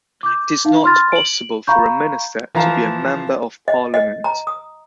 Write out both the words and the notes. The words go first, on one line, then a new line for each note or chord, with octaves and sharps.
It is not possible for a minister to be a member of parliament.
D6 G6
D#4 F5
B5 C6 F6 A6
D7 F#7
F5 A#5 B5 C#6 G6
E3 F3 F5 A#5
D#5
D#5
A#5
D#6